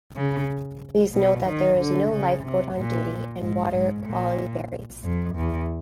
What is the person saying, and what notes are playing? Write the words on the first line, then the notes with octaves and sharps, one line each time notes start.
Please note that there is no lifeguard on duty and water quality varies.
C#3
B2
D#3
D3
C#3
C3
A#2
G#2
G#2
A#2
F2
E2